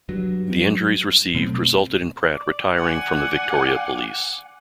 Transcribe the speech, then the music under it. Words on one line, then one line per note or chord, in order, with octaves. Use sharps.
The injuries received resulted in Pratt retiring from the Victoria Police.
G2 F#3
B2 F#3 A3 C4
D5
F#5 G#5